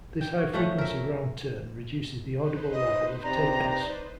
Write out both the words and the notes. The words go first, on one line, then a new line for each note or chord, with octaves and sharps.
This high-frequency round turn reduces the audible level of tape hiss.
G5
F#4
F3 A3 C#4 F#5
A#4 E5
D#4 B4 C5
D#5
C3 D5 A#5